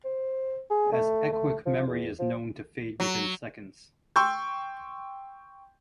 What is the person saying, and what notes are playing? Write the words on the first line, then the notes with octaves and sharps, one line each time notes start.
As echoic memory is known to fade within seconds.
C5
G#4
A3
A3
F3
E2
F3
F#3
G5 C6 C#6 E6 G6